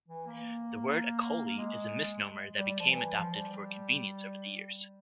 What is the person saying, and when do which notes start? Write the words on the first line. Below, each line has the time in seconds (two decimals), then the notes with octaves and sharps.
The word 'Acoli' is a misnomer that became adopted for convenience over the years.
0.09 E3
0.26 A#3
1.45 A#3
1.58 G#3
2.58 G3
2.80 F3
2.90 E3
3.13 F3
3.34 G3